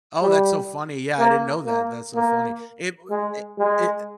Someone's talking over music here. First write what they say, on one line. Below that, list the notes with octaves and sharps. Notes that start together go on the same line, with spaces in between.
Oh, that's so funny. Yeah, I didn't know that. That's so funny. It w i i
G3
A#3
A#3
A#3
G#3
G#3